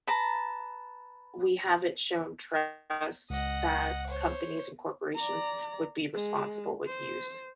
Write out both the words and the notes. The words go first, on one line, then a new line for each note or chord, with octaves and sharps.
we haven't shown trust that companies and corporations would be responsible with use.
B4 A5 A#5
C#2 D#5 F#5
C5 C#5
D5 A#5
G#3
C5